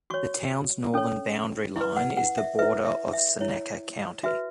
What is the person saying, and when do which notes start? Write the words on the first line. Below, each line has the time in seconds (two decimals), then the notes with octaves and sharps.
The town's northern boundary line is the border of Seneca County.
0.10 F#4 C#5 C#6
0.94 C#4 A4 C#5
1.76 E4 B4
1.96 F#5
2.17 F#5
2.38 E5
2.59 E4 B4 E5
2.85 E5
3.13 E5
3.41 E4 C#5
4.23 F#4 B4 E5